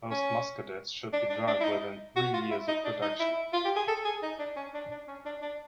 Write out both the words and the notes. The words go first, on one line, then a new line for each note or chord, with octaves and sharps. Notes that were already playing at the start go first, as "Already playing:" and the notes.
Most Muscadets should be drunk within three years of production.
C#4
D4
D4
D4
E4
D#4
F#4
F4
E4
D#4
D4
D#4
E4
F4
G4
G#4
A4
G#4
D#4
D4
C#4
D4
D4
C#4
D4
D4